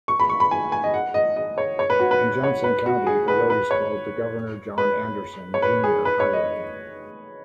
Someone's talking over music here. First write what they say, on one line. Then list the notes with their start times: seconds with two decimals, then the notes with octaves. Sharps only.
In Johnson County, the road is called the Governor John Anderson, Junior Highway.
0.08 C#6
0.20 B5
0.29 C#6
0.40 B5
0.51 G#5
0.72 G#5
0.84 D#5
0.94 F#5
1.14 D#5
1.36 D#5
1.58 C#5
1.79 C#5
1.90 B4
2.00 F#4
2.11 B4
2.43 C#5
2.64 B4
2.86 F#4
3.07 G#4
3.28 B4
3.50 B4
3.71 C#5
4.78 B4
5.54 C#5
5.62 B4
5.84 G#4
6.05 B4
6.20 C#5
6.33 D#5